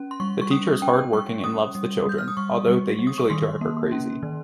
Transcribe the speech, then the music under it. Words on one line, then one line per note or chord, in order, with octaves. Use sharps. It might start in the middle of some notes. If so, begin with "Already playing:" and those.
The teacher is hard-working and loves the children, although they usually drive her crazy.
Already playing: C#4
C6
G3 C#6
C#6
C#4 D#6
C#4 G5
G3 C#6
C#4 D#6
G3
G3 G6
F6
D#6
G3 C#6
G3
G3
D#6
C#6
D#3 C6
A#3
C#4
D#3